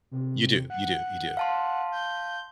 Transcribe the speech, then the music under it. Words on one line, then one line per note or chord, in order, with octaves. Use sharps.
You do, you do, you do.
C3
F#5
F5 A5 C6
G6